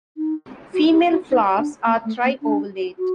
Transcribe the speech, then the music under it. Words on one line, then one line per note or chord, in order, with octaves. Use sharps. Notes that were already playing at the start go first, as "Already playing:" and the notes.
Female flowers are tri-ovulate.
D#4
F#4
G4
F#4
D#4
D4
A#3
A3
A#3
D4
F#4